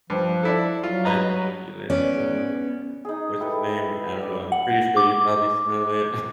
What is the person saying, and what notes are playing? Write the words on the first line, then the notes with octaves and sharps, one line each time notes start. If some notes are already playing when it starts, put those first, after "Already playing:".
"I just wanted you to let you know that what's-his-name, wh I don't know, I'm pretty sure you probably smell it."
G2 F3
D4 E4 A4
F#3 F4
B4 D#5 A#5
B3 C#4 D5
D#4 G#4
E4 G4 A4 B4
D5
F#5
D6